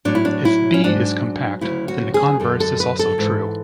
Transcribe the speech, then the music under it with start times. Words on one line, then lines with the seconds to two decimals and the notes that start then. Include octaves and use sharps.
If "B" is compact, then the converse is also true.
0.05 A2 F#3 D4
0.15 E4
0.25 D4
0.45 E4
0.74 C#4
0.84 G#2 F#3 D4
1.61 D2 C#3 F#3 E4
1.88 F#4
2.14 G#4
2.40 F#2 D3 F#3 A4
2.60 A4
2.80 B4
2.99 A4
3.18 G#2 E3